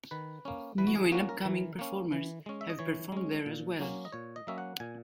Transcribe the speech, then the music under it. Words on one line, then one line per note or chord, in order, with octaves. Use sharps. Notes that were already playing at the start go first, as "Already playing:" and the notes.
New and upcoming performers have performed there as well.
D#3 B4
A#3 C#4
E3 B4
F#4
G#4
A#3 C#4 F#4
A#4
E3
A#3 C#4
E3
G#3 C#4
E5
D#5
E3 C#5
G#3 C#4
A#2
F#3 A#3 C#4
D#5
A#2 C#5
D#5
F#3 A#3 C#4 E5
F#5
A#2 G#5